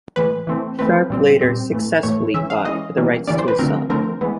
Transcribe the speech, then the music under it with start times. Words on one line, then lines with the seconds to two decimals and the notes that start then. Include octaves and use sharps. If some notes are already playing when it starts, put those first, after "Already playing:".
Sharp later successfully fought for the rights to his song.
0.16 A2 E3 G#3 B4
0.47 E3 A3 C4
0.79 E3 A3 C4 B4
1.10 A#2 G3 C4
1.41 A#2 G3 C4
1.72 A2 E3 A3
2.03 A2 E3 A3 C#5
2.34 E3 G#3 C#4 E5
2.50 F5
2.65 E3 G#3 C#4 D#5
2.97 E3 G3 A#3 C#4
3.27 E3 G3 A#3 C#4 D5
3.39 C5
3.48 B4
3.59 D3 F3 A3 C4 A#4
3.89 D3 F3 A3 C4 A#4
4.21 E3 G#3 B3